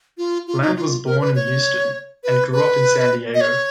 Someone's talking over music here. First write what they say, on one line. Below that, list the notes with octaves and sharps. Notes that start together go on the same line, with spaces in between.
Land was born in Houston and grew up in San Diego.
F4
F4
D#4
F4
A#4
B4
C#5
B4
B4
D#5
C#5